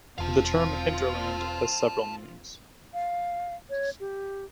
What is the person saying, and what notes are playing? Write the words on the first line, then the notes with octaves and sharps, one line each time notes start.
The term "hinterland" has several meanings.
E1 C4 F4 F5 A5
F5
C#5
G4